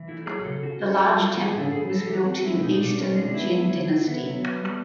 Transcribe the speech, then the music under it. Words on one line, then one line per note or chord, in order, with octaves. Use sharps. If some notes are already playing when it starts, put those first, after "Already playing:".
The large temple was built in Eastern Jin Dynasty.
Already playing: E3
A3 E4
F#3 G#4
C#3 A4
C#4 F#4
A3
F#4
F#3
G3 F4
F#4
E3 G4
G#4
A2 A4
A2 G#4
G3 A4
E3 G4
C4 F#4
G#3 E4
B2 D#4
B2 D4
C4 C#4
G#3 D4
B3 E4
F#3
D3
D3
B3
F#3
B3
G3